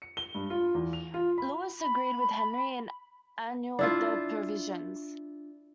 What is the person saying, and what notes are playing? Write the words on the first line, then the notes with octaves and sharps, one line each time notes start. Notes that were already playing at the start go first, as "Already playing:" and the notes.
Louis agreed with Henry and annulled the provisions.
C#7
G7
G2
F4
E2
F7
F4
B5
B5
D4 E4 F4